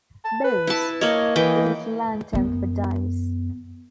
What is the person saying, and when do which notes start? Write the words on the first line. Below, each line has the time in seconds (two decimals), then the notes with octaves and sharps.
"Bones" is a slang term for dice.
0.25 A5
0.44 B4
0.67 E4 A5
1.01 A#3 C#5 D#5
1.36 E3 D#5 G5
2.33 F#2 B3